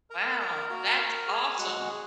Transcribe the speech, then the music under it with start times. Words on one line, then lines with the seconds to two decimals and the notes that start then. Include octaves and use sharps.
Wow! That's awesome!
0.10 A#4 A#5
0.40 A#4 A#5
0.69 A#3 F#4 A#4 A#5
0.99 A#4 A#5
1.28 G#4 G#5
1.57 G#3 F#4 F#5
1.87 G#4